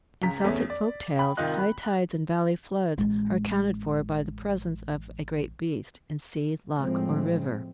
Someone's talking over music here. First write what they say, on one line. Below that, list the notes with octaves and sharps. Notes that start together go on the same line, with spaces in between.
In Celtic folk tales high tides and valley floods are accounted for by the presence of a "great beast" in sea, loch, or river.
C#2 C#3 A#5 B6
E2 A3 B3 C#4
D5
G5 B5
C2 D#3 F4 D#5 F#6
B5
A1 G#3
A2 F3 G#3 C4